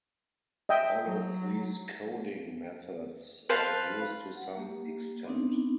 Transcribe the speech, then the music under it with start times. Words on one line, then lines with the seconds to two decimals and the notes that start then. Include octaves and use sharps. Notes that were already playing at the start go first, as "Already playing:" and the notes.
All of these coding methods are in use to some extent.
0.69 D#5 E5 G5
1.05 F#3
3.49 B4 C5 F5 A5
4.36 F#5
4.56 A#3 G4
5.25 B3 C4 D4 D#4